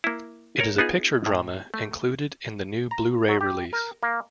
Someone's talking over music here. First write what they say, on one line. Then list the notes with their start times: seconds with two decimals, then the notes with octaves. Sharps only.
It is a picture drama included in the new Blu-ray release.
0.04 A#3 E4
0.60 A#4 C#5
0.78 B3 D#4 F4 G#4
1.26 A2
1.74 A3
2.91 A#5
3.28 F#3
3.41 G4
3.73 A#4
4.03 A#3